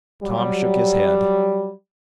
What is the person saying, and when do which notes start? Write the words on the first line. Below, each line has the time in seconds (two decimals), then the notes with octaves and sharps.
Tom shook his head.
0.23 F#3 G3